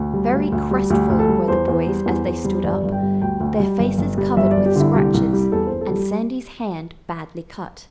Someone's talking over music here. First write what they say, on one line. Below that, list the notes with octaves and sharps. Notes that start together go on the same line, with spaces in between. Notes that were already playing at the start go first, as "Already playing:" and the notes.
Very crestfallen were the boys as they stood up, their faces covered with scratches and Sandy's hand badly cut.
Already playing: D2
G3
D2
D2
G3
D2 G4
D2
A4
G3
E2 C5
E2
G3
E2
E2
G3
G1 D5
G1
G5
G3
D2 G5
D2
G3
G1
G1
G3
G1 E5
D5
G1
G4
D3 E4
C2 G4
C2
G3
E2 A4
E2 C5
A4
G3
G4